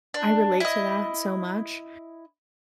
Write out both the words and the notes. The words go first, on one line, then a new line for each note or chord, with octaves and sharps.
I relate to that so much,
D4
E4 D#5